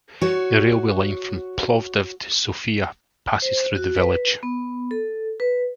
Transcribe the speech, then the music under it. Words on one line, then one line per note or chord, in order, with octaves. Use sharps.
The railway line from Plovdiv to Sofia passes through the village.
F#4 C#5
C5
F#4
B4
B3
A4
B4